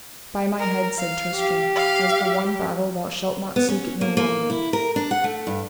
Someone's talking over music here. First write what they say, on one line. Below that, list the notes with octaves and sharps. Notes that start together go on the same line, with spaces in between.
By my head, said Tristram, as for one battle thou shalt not seek it no longer.
A#4
F5
G4
F5
B3
C#4
A#3
A#3
E4
A#4
D4
F#5
A3
G2